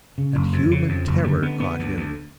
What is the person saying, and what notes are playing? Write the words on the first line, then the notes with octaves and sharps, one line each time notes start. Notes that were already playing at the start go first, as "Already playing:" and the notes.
And human terror caught him.
C#3
F#1
F2
C#3
F2
F#1
D3
B3
B3
D2
D2